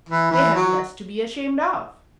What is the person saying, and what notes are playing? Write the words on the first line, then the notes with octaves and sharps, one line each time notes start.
They have less to be ashamed of.
E3
E3
F#3